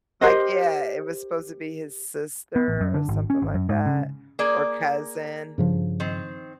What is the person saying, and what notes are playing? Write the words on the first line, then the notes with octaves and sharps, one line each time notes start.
Like, yeah, it was supposed to be his sister or something like that, or cousin.
G4 A#4 C5 D#5
B3
A1
F#2
D3
G#1
C#4
G#1
F#2
G#2
C#3
A#3 G#4 D5
G2 C#3 F3
D#3 C4